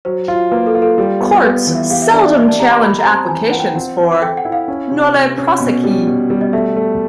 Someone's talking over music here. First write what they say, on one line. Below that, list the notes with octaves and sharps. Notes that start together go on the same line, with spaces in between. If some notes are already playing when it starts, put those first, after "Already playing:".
Courts seldom challenge applications for "nolle prosequi".
F#3 C5
F4
A#3 B4
A4
F4
A4
G3
B3
B3 B4
E3
E5
G4 F5
E5
D4 E5
D5
G4 D#5
A5
G4 A#5
C6
G3 B5
A#5
C4
A5
E3 G#5
F4 F#5
G5
C4 F#5
C4
A4 G5
F#5
E4
F5
C#4
C3
C3
C#4
B2
G3
B2
G3
D#5
A3 E5
A3